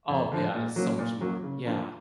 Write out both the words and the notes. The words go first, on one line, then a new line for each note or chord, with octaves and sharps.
Oh, yeah, it's so much more, yeah.
F2
D3 F3
A#2
F#3 A#3 C#4
A#2
F#3 A#3 C#4
C#3
F3 A#3 D4 F4